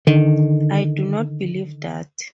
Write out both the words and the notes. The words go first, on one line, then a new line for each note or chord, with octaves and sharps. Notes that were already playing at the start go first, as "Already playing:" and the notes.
I do not believe that.
D3 D#3